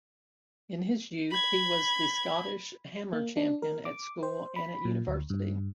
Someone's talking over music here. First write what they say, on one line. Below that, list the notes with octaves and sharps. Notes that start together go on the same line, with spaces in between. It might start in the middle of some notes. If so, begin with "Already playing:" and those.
In his youth he was Scottish hammer champion at school and at university.
B5 G#6
A#3
D4
A#4
D6
C5
B5
A#2
D2
G2